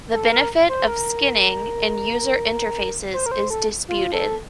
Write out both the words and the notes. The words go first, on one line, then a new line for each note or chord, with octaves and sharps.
The benefit of skinning in user interfaces is disputed.
A4
A#4
C5
A#4
C5
A#4
C5
A4
F4
A4